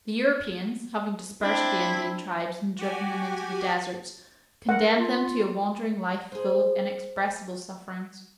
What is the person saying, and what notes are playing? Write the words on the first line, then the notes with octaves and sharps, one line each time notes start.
The Europeans, having dispersed the Indian tribes and driven them into the deserts, condemned them to a wandering life full of inexpressible sufferings.
C4 D4 E4
F#4 G4 G#5
A#4 F#5
F4
G#4 C5